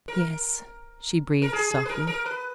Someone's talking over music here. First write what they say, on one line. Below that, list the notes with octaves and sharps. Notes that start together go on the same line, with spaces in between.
"Yes," she breathed softly.
A#4
A#4
G#4
G#4
B4
A#4
A#4
B4